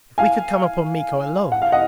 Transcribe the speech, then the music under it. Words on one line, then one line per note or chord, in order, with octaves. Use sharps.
If we could come upon Miko alone!
F5 G#5
F#5
F5
D#5 F#5